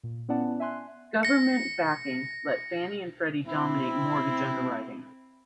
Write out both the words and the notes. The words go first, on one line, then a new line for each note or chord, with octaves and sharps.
Government backing let Fannie and Freddie dominate mortgage underwriting.
A#2
B3 C#4 E4 D5 F#5 A5
E5 G#5 C6 F#6
A#6 C#7
C4 E4